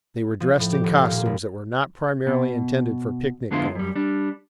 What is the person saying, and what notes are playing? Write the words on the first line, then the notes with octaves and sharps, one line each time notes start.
They were dressed in costumes that were not primarily intended for picnic going.
F3
A2
G4
D#1
F5
A#2
F1
B2
F2 D3 G#3 B3 E4 F4
F#2 G3
G3 D4